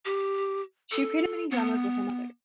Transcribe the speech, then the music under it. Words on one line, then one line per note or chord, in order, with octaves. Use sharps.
She appeared in many dramas with her mother.
G4
A4
B3